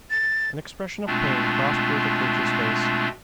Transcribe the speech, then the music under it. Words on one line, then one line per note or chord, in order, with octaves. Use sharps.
An expression of pain crossed Bertha Kircher's face.
A6
B2 G#3 A3 C4 D4 F4